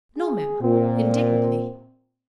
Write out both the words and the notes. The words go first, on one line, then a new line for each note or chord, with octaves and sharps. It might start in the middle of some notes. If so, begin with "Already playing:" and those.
"No, ma'm," indignantly.
G#4
A#2 C4